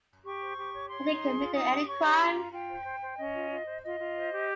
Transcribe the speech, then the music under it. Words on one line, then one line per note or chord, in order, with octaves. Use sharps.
Had he committed any crime?
G4 C#6
C5
G4
C#5
C#5 C6
D#4
G#4
F4
D#4 D#6
G4
C#5 C#6
G4
F4 A#5
F4
F4 G5
C5
C5
C5
C#4 D#5
F4
F4
C5
F4 D#5
F4
C5
G4